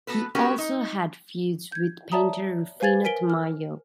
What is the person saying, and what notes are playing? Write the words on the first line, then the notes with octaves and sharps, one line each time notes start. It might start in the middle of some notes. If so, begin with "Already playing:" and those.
He also had feuds with painter Rufino Tamayo.
B3 F#4 A4 B4
G#3 B3 C#4 F#4 G4 A#4
D#4
G6 G#6
C#5 D5 E5 A5 A#5 D#6
B4 C5 F5 G#5 G#6 A6
A#4 G#5 B6 D7 G7
F6